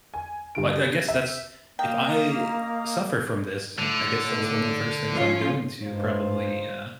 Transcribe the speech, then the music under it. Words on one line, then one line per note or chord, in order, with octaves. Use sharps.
I I guess that's if I suffer from this, I guess that's one of the first things I'm doing to probably, uh,
G#5
G2 D3 D7
E5
A#3 D#5 F5 G5 A#5
A2 D3
F3 C#4 F4
G2 G#3 D#4 F4 C5